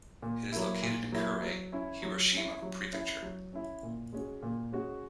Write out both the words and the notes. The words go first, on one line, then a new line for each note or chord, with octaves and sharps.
It is located in Kure, Hiroshima prefecture.
A#2
F#3 A#3 E4
A#2
F#3 A#3 E4
F#3
C#4 E4
F#3
C#4 E4
F#3
C#4 E4
F#3
C#4 E4
A#2
G#3 C#4 F#4
A#2
G#3 C#4 F#4